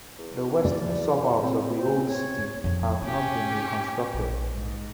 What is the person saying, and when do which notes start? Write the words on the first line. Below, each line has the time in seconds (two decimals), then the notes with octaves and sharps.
The western suburbs of the old city have not been reconstructed.
0.19 E2
0.65 D5
1.44 C4
1.76 C5
2.07 C#5
2.64 F2 C4
3.02 C4 C#4 G4
4.14 A#1
4.53 G#2